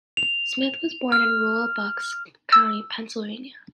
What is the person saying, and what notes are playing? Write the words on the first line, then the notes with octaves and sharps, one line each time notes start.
Smith was born in rural Bucks County, Pennsylvania.
F7
F6
E6